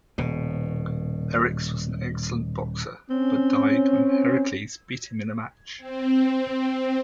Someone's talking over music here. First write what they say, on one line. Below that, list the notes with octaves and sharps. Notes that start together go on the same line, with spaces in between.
Eryx was an excellent boxer but died when Heracles beat him in a match.
D#1 B2
C4 C#4
C4